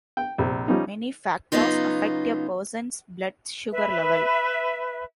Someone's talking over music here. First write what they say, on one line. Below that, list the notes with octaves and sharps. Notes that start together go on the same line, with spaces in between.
Many factors affect a person's blood sugar level.
G5
A#1 C3
F3 G3 C#4 D#4
C#3 F#3 B3 D#4 F4
B4 E5